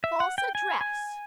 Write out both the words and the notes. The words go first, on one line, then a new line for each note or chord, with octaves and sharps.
"False address!"
E5
F#5
G5
G#5
G#5